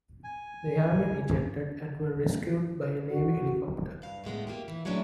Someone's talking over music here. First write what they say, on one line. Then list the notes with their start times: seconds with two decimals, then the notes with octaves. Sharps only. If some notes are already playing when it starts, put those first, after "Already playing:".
The airmen ejected and were rescued by a Navy helicopter.
0.24 G#5
3.11 F#4
4.02 G2 F5
4.24 A2 D3 G#3 B3
4.47 A#3 F4 G4
4.68 E3
4.85 F#3 G#3 A3 C#4 D4 E4